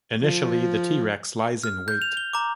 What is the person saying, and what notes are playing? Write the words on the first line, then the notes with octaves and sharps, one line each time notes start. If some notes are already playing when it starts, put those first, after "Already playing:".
Initially the "T. rex" lies in wait.
F3
F6
G6
F7
G7
A#5 D6